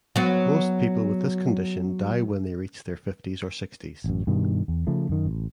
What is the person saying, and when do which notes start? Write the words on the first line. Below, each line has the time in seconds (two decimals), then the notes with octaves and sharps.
Most people with this condition die when they reach their fifties or sixties.
0.16 F#3 B3
4.04 A1 F#2
4.27 G2 B2 D#3 G3
4.68 E2
4.87 C#3 F3 A3
5.09 F#2 D#3
5.26 A1